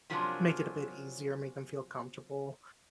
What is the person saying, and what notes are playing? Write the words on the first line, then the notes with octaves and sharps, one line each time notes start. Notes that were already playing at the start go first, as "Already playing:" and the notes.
make it a bit easier, make them feel comfortable.
C3 F3 F#3 A#3 C#4 D4